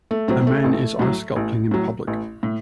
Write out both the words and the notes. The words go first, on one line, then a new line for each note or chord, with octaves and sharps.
A man is ice sculpting in public.
A3
A2 F#3 C4
A3
A1
A2 F#3
A1
A2 F#3
A1
A2